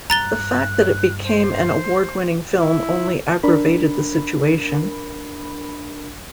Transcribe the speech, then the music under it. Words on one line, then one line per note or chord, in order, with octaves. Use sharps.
The fact that it became an award-winning film only aggravated the situation.
G2 A#5 F#6 A6 G7
C5
E4
D4 A#4 B5